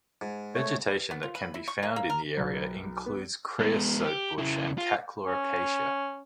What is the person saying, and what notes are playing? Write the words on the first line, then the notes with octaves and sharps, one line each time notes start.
Vegetation that can be found in the area includes creosote bush and catclaw acacia.
G#2
A3 C#5
B3
F4
B4
E4
C#6
A#3
A#3
A#4
B1
B3
G#3 B3
G4
C#3 E4
F4
C#4